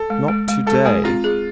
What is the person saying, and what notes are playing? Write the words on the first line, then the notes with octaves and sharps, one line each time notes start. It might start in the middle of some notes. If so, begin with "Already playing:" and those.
"Not to-day."
Already playing: A4
G#3
G#3
G#3
G#3 A4
G#3 G#4
C4 F4
G#4